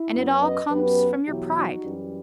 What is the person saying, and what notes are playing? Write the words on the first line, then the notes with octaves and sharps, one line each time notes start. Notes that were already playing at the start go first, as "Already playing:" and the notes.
And it all comes from your pride.
Already playing: E4
F#2 F#3 B3
B4 D#5
F#2 F#3 B3 G4 B4
E2 B2 F#3 E4 G4
D#4 F#4
F#2 E3 G3